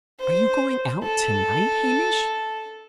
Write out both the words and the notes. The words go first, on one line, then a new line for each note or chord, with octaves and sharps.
"Are you going out to-night, Hamish?"
C5
A4